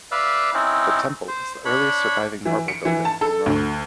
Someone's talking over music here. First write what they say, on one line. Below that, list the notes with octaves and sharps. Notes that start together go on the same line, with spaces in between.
The temple is the earliest surviving marble building in Rome.
B4 D5 E5 F5
C4 C#4 D#4 E4
C5
D4 C#5 B5
E3
C#7
E3
A5
A4
D2